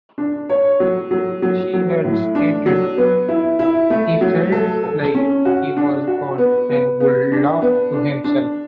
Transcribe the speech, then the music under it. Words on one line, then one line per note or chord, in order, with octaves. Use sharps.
She had stated, He felt like he was God and would laugh to himself.
D4
C#5
F#3
F#3
F#3
F#3
A2
D4
F#3
B3
E4
E4
A3
F#3
A4
A4
C#4
F#4
D4
F#4
B3
B3
B3
D4
B3
D4
D4